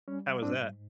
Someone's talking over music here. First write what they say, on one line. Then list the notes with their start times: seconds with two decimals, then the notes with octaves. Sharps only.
How was that?
0.08 G3 C#4
0.42 G#2 C4 D4